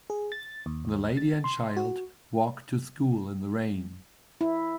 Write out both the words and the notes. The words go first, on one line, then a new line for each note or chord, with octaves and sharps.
The lady and child walk to school in the rain.
G#4
A6
D#2
D#2
A6
C6
F#4
E4